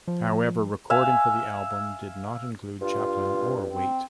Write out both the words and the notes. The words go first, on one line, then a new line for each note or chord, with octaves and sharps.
However, recording for the album did not include Chaplin or Waite.
F3
E5 F5 G#5
G2 F4
C4